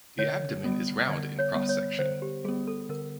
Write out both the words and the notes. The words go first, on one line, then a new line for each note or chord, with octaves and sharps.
The abdomen is round in cross section.
D3 C#5
G3 B3
D3 D5
C#5
G3 B3
C#5
D3 C5
G4
G3 B3 G#4
A4
D3 A#4